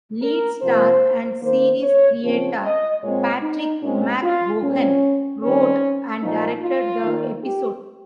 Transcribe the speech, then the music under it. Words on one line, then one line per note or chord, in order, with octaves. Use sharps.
Lead star and series creator Patrick McGoohan wrote and directed the episode.
A#4
C3 F3 A#3 C5
D#3 A#3 C5
C#5
C#3 F3 C4 C#5
D#5
A#2 G#3 C4 C#5
D#4
A#2 G#3 C4 C#4
F4
A#2 G3 C4 C#4
D#3 G3 C4 C#4
A#2 F3 A#3 D#4
F4
D#3 A#3
G4